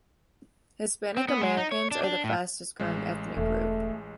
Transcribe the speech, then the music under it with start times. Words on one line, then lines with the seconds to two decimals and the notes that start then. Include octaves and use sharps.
Hispanic Americans are the fastest growing ethnic group.
1.17 C4
1.28 B3
1.42 G#3
1.57 D#4
1.71 C#5
1.91 D4
2.04 D4
2.24 A2
2.80 A1 G#3
3.37 E1 A3